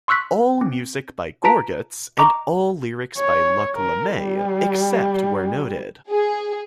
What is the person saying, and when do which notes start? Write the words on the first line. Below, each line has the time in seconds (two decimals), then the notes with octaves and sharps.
All music by Gorguts and all lyrics by Luc Lemay, except where noted.
0.08 C6 C#6 E6 F#6 B6
0.61 C4
1.44 F4 B4 A5 A#5 B6 D7
2.19 D#5 A#5 C#6 D6
3.18 C#5
3.75 A#4
4.15 G3
6.09 G#4